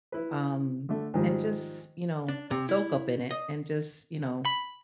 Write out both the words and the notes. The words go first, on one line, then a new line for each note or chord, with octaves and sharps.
Um, and just, you know, soak up in it and just, you know,
E4 B4
D3 A3
G#2 D#3 F3 G3
D4
C3
E4
D#5
B5